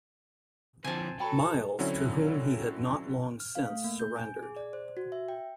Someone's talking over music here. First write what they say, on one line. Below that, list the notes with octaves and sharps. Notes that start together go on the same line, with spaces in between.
Miles to whom he had not long since surrendered.
D3 F3 C4 G#5 A5
F#3 A4 G5 A#5 B5
D3 F#3 C4 C#4 E4
F6
F5
A3
A#3
G6
G#5
G#4
D5
C5
F#4
E5
G5